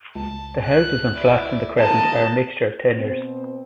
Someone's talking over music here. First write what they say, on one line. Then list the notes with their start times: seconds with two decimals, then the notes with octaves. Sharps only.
The houses and flats in the Crescent are a mixture of tenures.
0.16 C#2 A5
0.63 F#6
1.15 E4 D5
1.79 A#3 D#5 A5
2.95 B2 C4 C5